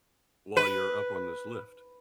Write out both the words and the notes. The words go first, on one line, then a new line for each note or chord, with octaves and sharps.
While you're up on this lift.
B4